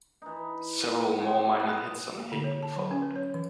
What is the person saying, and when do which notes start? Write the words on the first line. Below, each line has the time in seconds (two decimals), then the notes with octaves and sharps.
Several more minor hits on Haven followed.
0.22 E3 D#4
1.19 C#3 C4
1.60 B3
2.18 A#3
2.32 D3
2.44 C#5
2.63 A5
2.76 F#3
2.91 C#4
3.02 B4
3.16 C#5
3.34 E3